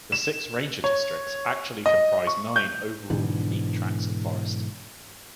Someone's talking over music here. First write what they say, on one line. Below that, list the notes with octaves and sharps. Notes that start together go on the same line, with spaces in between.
The six ranger districts actually comprise nine overall unique tracts of forests.
E7
C#5
D#5
C#6
G6
G#2 B2 D3 E3